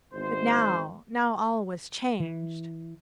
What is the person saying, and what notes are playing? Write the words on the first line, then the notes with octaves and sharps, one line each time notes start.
But now, now all was changed.
G#1 E2 C5
E3